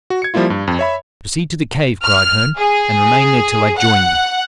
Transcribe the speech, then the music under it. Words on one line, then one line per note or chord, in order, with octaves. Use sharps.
"Proceed to the cave," cried Herne, "and remain there till I join you."
F#4
G#6 C#7
F3 G3 A#3 E4 F4
G2
F2
C#5 E5 B5
F6
G#4
F#5